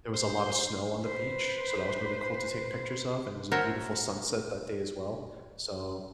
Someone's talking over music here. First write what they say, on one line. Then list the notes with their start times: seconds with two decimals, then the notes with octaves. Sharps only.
there was a lot of snow on the beach, so that was really cool to take pictures of, and it was a beautiful sunset that day as well. So,
0.14 C5
1.04 B4 C5
3.52 F#4 A#4 C5 C#5 E5 A5